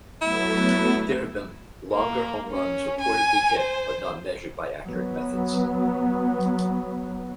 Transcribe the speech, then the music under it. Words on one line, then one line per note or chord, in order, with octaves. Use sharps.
There have been longer home runs reportedly hit but not measured by accurate methods.
F#3 A3 B3 E4
A#3
C#4
G#5
C5
F#3 B3